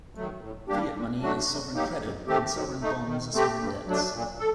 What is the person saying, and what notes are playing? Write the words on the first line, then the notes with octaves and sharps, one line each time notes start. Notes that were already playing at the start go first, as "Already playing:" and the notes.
Fiat money is sovereign credit and sovereign bonds are sovereign debts.
D#3 F#3 A3
A2
G3 A#3 D4 G4
A#2
F#3 A3 D4 F#4
C3
F#3 A#3 D#4 G4
F#2
D#3 A3 C4 G4
F#3
A3 D#4
D#3
A3 C4 G4
G2
F#3 A3 D4
A#2
A4